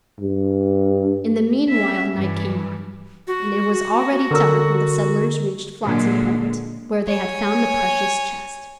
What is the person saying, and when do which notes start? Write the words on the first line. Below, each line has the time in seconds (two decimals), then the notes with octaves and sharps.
In the meanwhile night came on, and it was already dark when the settlers reached Flotsam Point, where they had found the precious chest.
0.20 G2
1.69 C#4 E5
2.14 G2 E3
3.27 F#4
4.31 D3 A#4 E6
5.82 A#2 D3 F#3 G#3
7.07 C#5 G#5